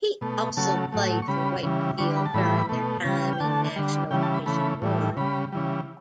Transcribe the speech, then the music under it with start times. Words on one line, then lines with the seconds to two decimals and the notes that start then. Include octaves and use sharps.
He also played for Wakefield during their time in National Division One.
0.21 B2 A3
0.57 C#3 F#3 A3 A5
0.92 A2 F#3 A3
1.22 C#6
1.28 C#3 G3 B5
1.63 C#3 E3 G3
1.98 D3 G3 C#6
2.16 B5
2.26 A5
2.34 A2 E3 G3 B5
2.69 B2 A3
3.05 C#3 G3
3.33 G5
3.40 D3 A3 A5
3.76 D3 G3
4.11 C#3 E3 G3 G5
4.23 A5
4.34 B5
4.46 C#3 E3 A3 B5
4.82 A2 E3 G3
5.17 C#3 G3 B5
5.52 C#3 E3 G3